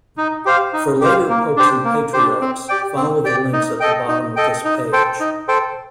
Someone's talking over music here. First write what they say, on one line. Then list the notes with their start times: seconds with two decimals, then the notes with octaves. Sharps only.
For later Popes and Patriarchs, follow the links at the bottom of this page.
0.18 D#4
0.46 G4 C5 F5
0.73 D#4
1.01 G4 C5 F5
1.29 A#3
1.57 D4 G4 C5
1.85 A#3
2.13 D4 G4 C5
2.41 C4
2.69 G4 D5 G5
2.97 C4
3.24 G4 D5 G5
3.53 D#4
3.80 A4 D#5 G5
4.08 D#4
4.36 A4 D#5 G5
4.65 D#4
4.93 A4 C5 G5
5.20 D#4
5.48 A4 C5 G5